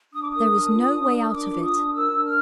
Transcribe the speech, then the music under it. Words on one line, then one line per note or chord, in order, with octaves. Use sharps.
There is no way out of it.
D4 D#6
D6
A#4 D#6
D4
F4
D4
A#4
D4 D6
F4
D#6
D4
A#4 E6
D4
F6